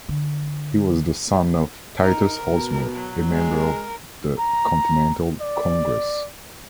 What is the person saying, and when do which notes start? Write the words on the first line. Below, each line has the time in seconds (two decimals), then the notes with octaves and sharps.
He was the son of Titus Hosmer, a member of the Continental Congress.
0.09 D3
2.02 D#4 A#4
2.42 B2
2.94 F#3
3.25 G#3
3.59 A#4
4.39 A#5
5.41 D5